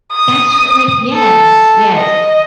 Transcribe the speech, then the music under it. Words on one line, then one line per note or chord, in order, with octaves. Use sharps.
That's what like, yes. Yes.
D#6
A4
D#5